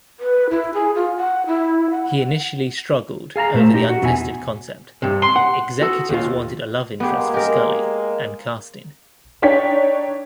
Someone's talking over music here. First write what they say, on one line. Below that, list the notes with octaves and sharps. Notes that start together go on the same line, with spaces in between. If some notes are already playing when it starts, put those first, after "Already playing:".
He initially struggled over the untested concept-executives wanted a love interest for Scully-and casting.
B4
E4
G#4
F4
F#5
E4
F#5
G#4 F5 A5 A#5
A#2 A3 C5
D#4 G4
F#4
E2 B2 E3 E4 E5 G#5
G2 C3
C6
F#5
F#4 A4
D#2 F4
G#3 A#3 B3 G4
G4 A#4
D4 D#4 C#5 G5 B6